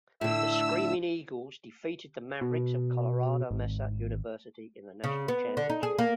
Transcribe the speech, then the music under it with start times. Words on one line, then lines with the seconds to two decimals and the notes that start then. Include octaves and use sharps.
The Screaming Eagles defeated the Mavericks of Colorado Mesa University in the national championship.
0.21 A2 D3 E5 E6
2.41 B2
3.51 G#1
5.04 C#3
5.28 B3
5.57 D3
5.70 D#4
5.83 G#4
5.99 A#3